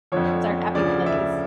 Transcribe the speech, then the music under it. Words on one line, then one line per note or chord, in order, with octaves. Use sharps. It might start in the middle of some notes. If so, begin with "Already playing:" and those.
that's our happy place.
F2 D3 F3 C#5
D2 C#3 F3 D5
E5